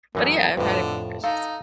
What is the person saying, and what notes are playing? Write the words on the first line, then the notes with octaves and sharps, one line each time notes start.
But, yeah, I've had a few crushes.
F#2 E3 A3 D#4 A#4
F2 A2 D3 B4
D#4 A4 F5